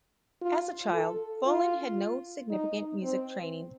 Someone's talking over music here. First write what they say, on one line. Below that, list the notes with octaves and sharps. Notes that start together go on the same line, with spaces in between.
As a child, Follin had no significant music training.
F4
A4
F4
D#4
C4